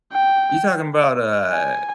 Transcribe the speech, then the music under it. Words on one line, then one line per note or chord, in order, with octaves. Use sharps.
You talking about, uh
G5
G#5